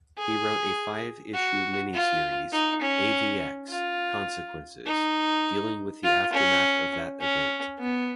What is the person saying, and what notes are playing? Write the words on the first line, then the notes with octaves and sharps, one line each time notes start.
He wrote a five-issue miniseries "AvX: Consequences", dealing with the aftermath of that event.
G#4
F#4
F4
D#4
C#4
F4
D#4
F4
C#4
C#4
B3